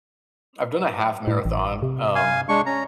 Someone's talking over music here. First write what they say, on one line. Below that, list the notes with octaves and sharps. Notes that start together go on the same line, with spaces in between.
I've done a half marathon, um,
A2
A1
C3
F5 G#5
G#3 D4 C#6
C#4 A#5